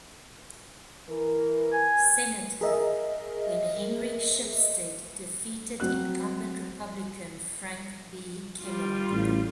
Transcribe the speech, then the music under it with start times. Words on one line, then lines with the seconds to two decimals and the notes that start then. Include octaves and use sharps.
Senator, when Henrik Shipstead defeated incumbent Republican Frank B. Kellogg.
1.09 E3 A#4
1.73 G#5
2.61 G#4 A#4 D#5 E5
5.80 F#3 C4 F#4 F#6
8.63 G3 F4
9.12 A1